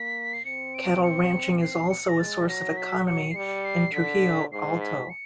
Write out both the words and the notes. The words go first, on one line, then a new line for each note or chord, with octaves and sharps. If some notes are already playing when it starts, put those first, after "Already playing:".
Cattle ranching is also a source of economy in Trujillo Alto.
Already playing: A#3 B6
C7
C4 C#7
D7
C#7
C7
C#7
A#6
G#3 A6
F#3 A#6
B6
C#7
C7
G3 C#7
C7
D3 B6
G#2 C7
B6
C#7